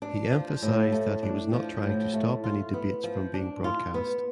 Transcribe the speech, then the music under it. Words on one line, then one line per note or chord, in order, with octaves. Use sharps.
He emphasised that he was not trying to stop any debates from being broadcast.
D4
F3
A2
A3
D4
F3
A2
A3
F4
B3
F3
D4
F4
B3